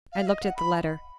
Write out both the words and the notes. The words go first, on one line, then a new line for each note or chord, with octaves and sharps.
I looked at the letter.
F5
D#5
F#5
B5